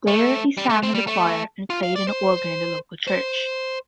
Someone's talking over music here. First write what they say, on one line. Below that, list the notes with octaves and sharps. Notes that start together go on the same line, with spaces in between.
There, he sang in the choir and played an organ in the local church.
A3
G3
A3
C4
G3
A3
F4
F5
D5
C5
C5